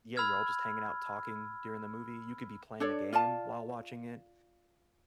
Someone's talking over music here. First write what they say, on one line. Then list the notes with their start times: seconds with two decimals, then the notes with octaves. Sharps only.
yeah, you're all just hanging out talking during the movie. You could be playing a game while watching it.
0.17 B5 E6 F6 G#6
2.80 D4 A4 C#5 D5
3.13 F4 D5 F5 A5